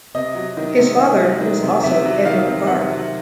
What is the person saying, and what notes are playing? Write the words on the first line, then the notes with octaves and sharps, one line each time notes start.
His father was also Edward Parr.
C3 D#5
F#3
D#3
C3
C3
F#3
D#3
C3
C3 E5
F#3
D#3 F5
C3
C3 F#5
F#3